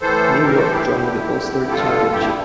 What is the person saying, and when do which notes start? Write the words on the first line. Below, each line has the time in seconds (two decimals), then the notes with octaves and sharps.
New York joined the Ulster Championship.
0.01 A2 E3 A4 C5
0.43 A2 E3 G4 A#4
0.57 A4 C5
0.72 E4 G4
0.87 E2 D3
1.29 E2 D3
1.70 G2 D3 F4 A4
2.12 G2 D3 E4 G4